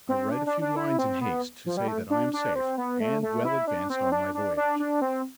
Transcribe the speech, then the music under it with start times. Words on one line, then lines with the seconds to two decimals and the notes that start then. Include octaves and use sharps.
I write a few lines in haste to say that I am safe--and well advanced on my voyage.
0.09 C4
0.31 D4
0.46 D4
0.61 D4
0.76 E4
0.99 C4
1.21 B3
1.66 F3
1.77 G3
1.88 A3
2.10 D4
2.33 D4
2.55 C4
2.78 B3
3.00 A3
3.22 A3
3.45 E4
3.67 D4
3.90 C4
4.12 D4
4.34 D4
4.57 D4
4.79 D4
5.02 C4